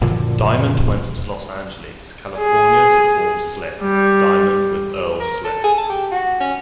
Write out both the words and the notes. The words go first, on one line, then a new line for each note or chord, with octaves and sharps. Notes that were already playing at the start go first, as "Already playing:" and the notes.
Diamond went to Los Angeles, California to form Slick Diamond with Earl Slick.
F#1 A#2 D3 F3
G#4
G3
A#4
A4
G#4
A5
G4
F#4
C#4